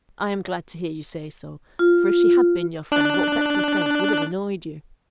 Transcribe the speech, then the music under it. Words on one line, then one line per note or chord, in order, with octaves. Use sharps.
'I am glad to hear you say so, for if she had been your friend, what Betsy says would have annoyed you.'
F4
D4 F#6